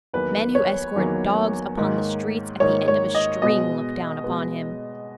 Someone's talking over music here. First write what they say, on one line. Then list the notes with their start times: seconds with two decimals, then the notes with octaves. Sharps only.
Men who escort dogs upon the streets at the end of a string look down upon him.
0.13 E2 D#3 F#3 A#3 B4
0.55 C#5
0.96 E2 D#3 F#3 A#3
1.78 G#2 D#3 A#3
2.60 G#2 D#3 A#3 C#5
2.88 C#5
3.15 D#5
3.42 B2 G#3 B3 D#5
4.24 B2 G#3 B3